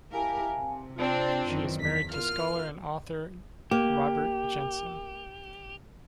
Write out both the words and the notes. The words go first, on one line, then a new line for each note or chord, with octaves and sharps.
She is married to scholar and author Robert Jensen.
E4 G4 A#4 F5 G#5 A5
C3
C4 D4 F4
F#2 D#3 E3
E2 B6
F4 A#4 F6
A#3 G4